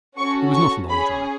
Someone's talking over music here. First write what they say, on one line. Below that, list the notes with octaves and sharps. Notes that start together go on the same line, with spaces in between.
It was not a long drive.
C#4 F#4 A4 C#6
C#6
C#4 G#4 B5